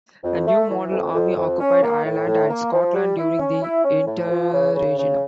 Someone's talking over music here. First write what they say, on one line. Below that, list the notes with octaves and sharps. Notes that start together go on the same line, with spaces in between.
The New Model Army occupied Ireland and Scotland during the Interregnum.
F2
A3
E3
F2
F2
F2
C#4
A#3
A2
A2
A#3
F3
G3
E4
C#4
E4
C#4
A2
F3
C#3
C#3
C#3